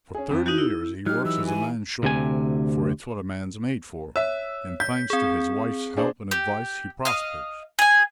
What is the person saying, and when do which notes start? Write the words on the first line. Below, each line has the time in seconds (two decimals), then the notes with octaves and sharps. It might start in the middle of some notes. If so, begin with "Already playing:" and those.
For thirty years he works as a man should-- for it's what a man's made for--and thanks to his wife's help and advice he prospers.
0.15 C#4 G#4
0.31 F2
0.46 D#4 F#4 G6 D#7
0.58 E4
1.06 F#3 D#4 G4 F6
1.25 E3 E6
1.47 G#5
2.03 D2 C3 G#5
4.16 C#5 E5 E6
4.80 G6 B6
5.10 C4 G#4
5.97 D4 G#4 C5
6.31 G4
7.05 D#5 F5
7.79 G#4 G#5